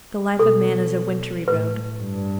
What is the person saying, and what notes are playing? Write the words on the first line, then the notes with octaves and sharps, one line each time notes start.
The life of man is a wintry road.
B2 A4
A2 B4
G2